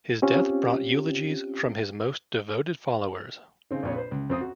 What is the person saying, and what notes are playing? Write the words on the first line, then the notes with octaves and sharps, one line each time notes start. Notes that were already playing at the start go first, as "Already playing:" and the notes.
His death brought eulogies from his most devoted followers.
C4 C#4 F4 G4
C#3 C4 D#4
A#1 F2 C#5
B4 C5
C#2
F2 C4 D#6
F#4